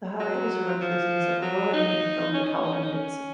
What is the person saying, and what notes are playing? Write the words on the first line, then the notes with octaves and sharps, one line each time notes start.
The highway also runs through the cities of Aurora, Naperville, DeKalb, and Dixon.
F#3
F3
F#3
D#4
C#4
D#4
C#4
D#4
C#4
D#4
C#4